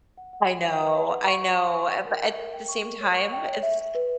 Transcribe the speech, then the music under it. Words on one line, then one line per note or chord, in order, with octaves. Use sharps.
I know, I know, uh, but at the same time, it's
F#5
F#5
F#5
E5
B4
B4
F#5
C#6
C#6
F#5
C#6
F#5
A#4
E5
A#4
G5
C#6
A#4
C#5
C#6
G5
C#5
E5
E5
B4